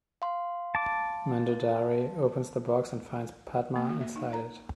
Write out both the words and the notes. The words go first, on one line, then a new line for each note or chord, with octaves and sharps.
Mandodari opens the box and finds Padma inside it.
F5 C6
A5 D6
A#3
F#4
E5
D#4
A#5